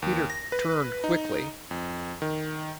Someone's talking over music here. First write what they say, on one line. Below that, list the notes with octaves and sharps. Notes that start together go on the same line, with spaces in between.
Peter turned quickly.
D#2
A#6
B4
D#4
F2
D#3